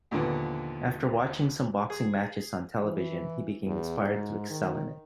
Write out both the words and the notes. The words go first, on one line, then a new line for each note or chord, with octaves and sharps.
After watching some boxing matches on television, he became inspired to excel in it.
D#2 A#2 D3 F3 B3
G#4
E3
E2
G#2
D#3